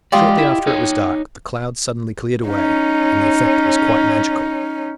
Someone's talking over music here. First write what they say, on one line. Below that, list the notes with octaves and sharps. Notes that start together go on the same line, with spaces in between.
Shortly after it was dark the clouds suddenly cleared away, and the effect was quite magical.
G#3 F4 G4 D5 D#5
E4
D#4 C#5
C#4 D#4